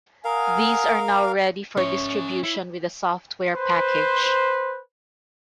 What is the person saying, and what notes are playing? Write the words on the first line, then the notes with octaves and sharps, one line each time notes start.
These are now ready for distribution with the software package.
A#4 F5 F#5 G#5 D#6
C#4 C#5 E5
E4
B4 C5